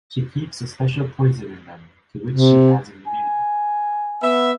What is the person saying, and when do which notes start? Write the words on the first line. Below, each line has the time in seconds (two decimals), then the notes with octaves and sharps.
She keeps a special poison in them, to which she has an immunity.
2.30 C3
3.07 G#5
4.22 B3 E5